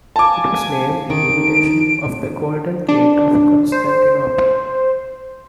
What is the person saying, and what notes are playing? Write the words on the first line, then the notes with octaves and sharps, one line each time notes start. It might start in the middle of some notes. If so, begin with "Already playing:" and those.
It was named in imitation of the Golden Gate of Constantinople.
F5 G#5 A5 D6
D#3 D#4 D7
D4
C5